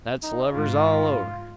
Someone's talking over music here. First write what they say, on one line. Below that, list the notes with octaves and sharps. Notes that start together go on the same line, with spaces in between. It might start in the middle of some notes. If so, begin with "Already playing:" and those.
That's lovers all over.
D#4
G#2 F4